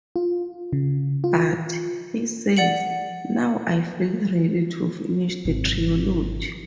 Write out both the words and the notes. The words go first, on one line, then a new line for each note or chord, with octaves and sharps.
"But", he says, "now I feel ready to finish the trilogy".
F4
C#3
F4
D5 F#5 C#7 F#7
G#1 C3